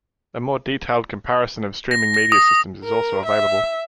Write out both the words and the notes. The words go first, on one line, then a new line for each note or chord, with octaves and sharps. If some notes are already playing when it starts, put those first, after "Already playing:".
A more detailed comparison of streaming media systems is also available.
A#6
A#6
D#6
A#4
E5